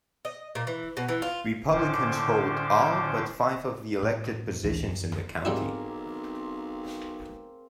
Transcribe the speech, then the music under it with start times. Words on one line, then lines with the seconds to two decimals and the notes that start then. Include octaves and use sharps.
Republicans hold all but five of the elected positions in the county.
0.25 D#5
0.55 A#2
0.67 E3
0.97 B2
1.08 E3
1.22 F4
1.73 A2 D3 C#4 C5 D6
4.03 A2
4.63 A1 D2 E3 D4
4.87 F#2
5.45 B1 G#2 G3 A#3 C4 E4 G#4